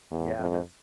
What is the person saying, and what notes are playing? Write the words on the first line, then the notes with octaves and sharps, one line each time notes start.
Yeah. That's
E2
F2